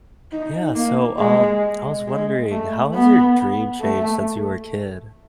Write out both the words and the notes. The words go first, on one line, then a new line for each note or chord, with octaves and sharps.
Yeah, so, um, I was wondering, how has your dream changed since you were a kid?
D#4
A#3
G#3
G#3
A3
B3
A3